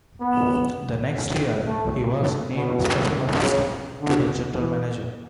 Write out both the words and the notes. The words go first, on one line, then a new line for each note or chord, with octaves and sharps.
The next year, he was named special assistant to the general manager.
B3
A3
A3
B2
C#3
D3
E3